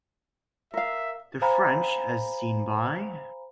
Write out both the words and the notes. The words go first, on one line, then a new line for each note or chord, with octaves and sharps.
The French as Seen By...
A#4 E5 F5
C5 F5 G#5 A#5 B5